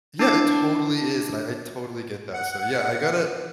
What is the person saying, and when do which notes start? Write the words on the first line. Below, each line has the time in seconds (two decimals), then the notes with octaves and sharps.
yeah, it totally is. And I I totally get that. So yeah, I gotta
0.19 D4 E4 A5 D6 C7
2.33 F#5